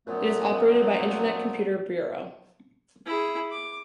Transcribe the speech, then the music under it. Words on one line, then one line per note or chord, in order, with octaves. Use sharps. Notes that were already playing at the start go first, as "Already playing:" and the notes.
It is operated by Internet Computer Bureau.
F#2 A#2 F3 F#3 A3 B3
E4 G#4
D6